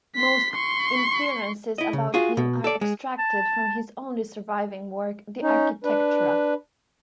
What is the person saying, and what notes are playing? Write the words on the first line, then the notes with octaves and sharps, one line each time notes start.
Most inferences about him are extracted from his only surviving work "De Architectura".
C6 B6
C6 C#6
E4 D#5
C#3
F4 F#4 G#4
B2
A4 D5
G#3
A5
C#4 D#4
D4 B4